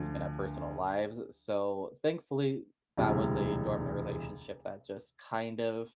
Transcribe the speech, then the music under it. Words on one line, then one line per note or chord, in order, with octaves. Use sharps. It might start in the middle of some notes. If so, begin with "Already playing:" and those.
in our personal lives. So, thankfully, that was a dormant relationship that just kind of
Already playing: D2 D3 F3
E1 D2 C3 E3 G3